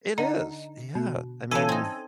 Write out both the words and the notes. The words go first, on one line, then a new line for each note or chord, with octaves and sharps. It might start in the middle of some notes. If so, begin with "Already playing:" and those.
It is. Yeah. I mean
D3 D#4
B2
C#3 E3 A4 G#5
C4 D#4